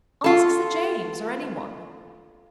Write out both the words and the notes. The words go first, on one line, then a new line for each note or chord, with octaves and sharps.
Ask Sir James or anyone.
F4 A4